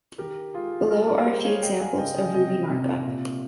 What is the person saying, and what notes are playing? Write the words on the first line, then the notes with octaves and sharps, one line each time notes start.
Below are a few examples of ruby markup.
D#3 G4 A#4
G#3 F4 G#4
G3 G4 A#4
G4 A#4
G3 G#4 C5
D#5
C#5 F5
G#3 D#5 G5
F5 G#5
C#3 D#5 G5
D#5 G5
C3 D#5 G5
C3
A#2